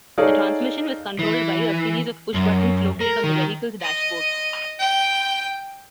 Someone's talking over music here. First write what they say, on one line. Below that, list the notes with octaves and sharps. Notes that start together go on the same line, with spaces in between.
The transmission was controlled by a series of pushbuttons located on the vehicle's dashboard.
D#4 G#4 A4 C#5 D5 F5
E3
F#2
A#4
D#3
D#5
G5